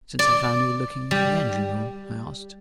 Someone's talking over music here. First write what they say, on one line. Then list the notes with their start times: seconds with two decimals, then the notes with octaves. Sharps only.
"Since I found you looking into the engine-room?" I asked.
0.19 D5
1.11 G3